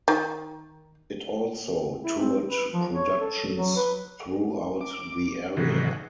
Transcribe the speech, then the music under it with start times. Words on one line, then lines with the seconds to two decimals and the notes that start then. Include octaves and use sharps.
It also toured productions throughout the area.
0.08 D#3
2.03 E4
2.19 C4
2.48 B4
2.73 F3
2.91 C#5
3.20 A4
3.57 F#3
3.76 B4
4.81 D6
5.57 G#2 C3 D#3 E3 F#3